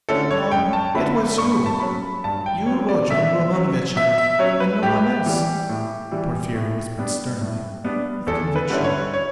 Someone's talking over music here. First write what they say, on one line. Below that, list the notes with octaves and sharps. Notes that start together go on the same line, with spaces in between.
"No, it was you, you Rodion Romanovitch, and no one else," Porfiry whispered sternly, with conviction.
D3 A3 C#4 E4 A4
C#5
F#2 G5
A5
D3 A3 C#4 E4 B5
B5
G2 C#6
B5
A5
F#3 C#4 B5
G2 A5
G5
F#3 C#4 C#5
D5
B2 E5
F#3 C#4
B2 E5
E5
F#3 C#4 C#5
B4
A2 G4
E3 G3
A2
E3 G3
A2
G3 B3 D4
A2
G3 B3 D4
E2 A4
B4
D3 G3 C#4 E4
C#5
C#5